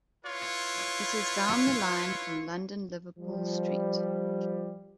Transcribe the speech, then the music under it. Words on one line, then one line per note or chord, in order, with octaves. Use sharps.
It is down the line from London Liverpool Street.
E4 F4 B4 C#5
F3 G3